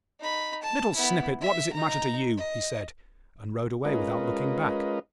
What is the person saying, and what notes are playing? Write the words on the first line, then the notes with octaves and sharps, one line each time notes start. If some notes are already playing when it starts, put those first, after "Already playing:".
'Little Snippet, what does it matter to you?' he said, and rode away without looking back.
D#4 B5
A5
B3 E4
E5
D#4 A#5
D#5
G#3 C#4 F4 A#4 B4 D#5